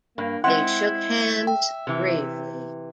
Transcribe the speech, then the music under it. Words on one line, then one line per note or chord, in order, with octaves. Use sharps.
They shook hands gravely.
G2 A#3
G#3 C4 E4 F#5 C6
E5 G5
C3 E3